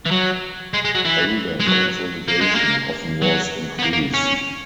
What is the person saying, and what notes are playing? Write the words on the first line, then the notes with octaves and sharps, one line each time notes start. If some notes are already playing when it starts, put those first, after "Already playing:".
Older consolidation often was increased.
E3
F#3
G#3
G#3
F#3
E3
G#3
F#3
A#3
G#3
A#3
F#3
B3
A#3
A#3
C#4